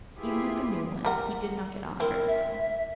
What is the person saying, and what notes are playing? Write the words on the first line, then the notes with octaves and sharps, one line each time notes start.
Even with the new one he did not get on very well.
E4 F4 G4 G#4 B4 E5
G3 A#4 F#5
C4 E4 A#4
E5